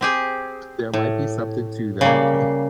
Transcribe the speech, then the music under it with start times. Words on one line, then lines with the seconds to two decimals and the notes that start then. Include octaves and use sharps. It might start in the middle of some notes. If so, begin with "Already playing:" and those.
there might be something to that.
0.01 C4 G4 G#4
0.93 A2
2.01 C#3 G3 A#3